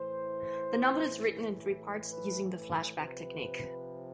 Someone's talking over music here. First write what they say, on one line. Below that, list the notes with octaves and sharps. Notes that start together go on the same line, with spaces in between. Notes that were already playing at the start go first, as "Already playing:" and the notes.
The novel is written in three parts, using the flashback technique.
Already playing: A2 E3 C5
B4
B4
C3 F3 B4